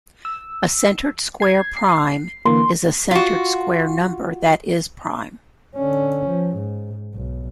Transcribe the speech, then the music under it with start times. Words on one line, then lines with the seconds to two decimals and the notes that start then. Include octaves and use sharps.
A centered square prime is a centered square number that is prime.
0.25 E6
1.40 G#6 C7
1.77 C7
2.45 D3 E3 A#3 C6
3.11 F4 F#4
5.76 D3 C#4
6.28 F3
6.57 G#2
7.14 B1